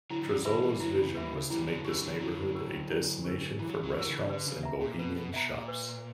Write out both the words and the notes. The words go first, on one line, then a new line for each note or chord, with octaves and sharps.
Trozzolo's vision was to make this neighborhood a destination for restaurants and bohemian shops.
D3 F#3 E4
F#3
E3 G3
D3 F#3 B4 E5 B5
E3 G3
D3 F#3 E4
C#3 E3
E3 G3 B4 E5 B5
C#3
E3 G3 E4
D3 F#3
D3 F#3 G4 A#4
D3 F#3
D3 F#3 E4
G4 A#4
E4
G4 A#4
E3 E4
F#3
E3
F#3
E3
F#3 G4 A#4
C#3 E3
D3 B4
C#3
E5 A#5
A#2
B2 B4
B2
B2 E5 A#5
A#2
B4